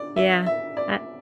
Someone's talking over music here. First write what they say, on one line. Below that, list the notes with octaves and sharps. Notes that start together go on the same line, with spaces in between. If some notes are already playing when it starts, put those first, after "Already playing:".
yeah, uh
Already playing: D3 D5
E5
E5
D5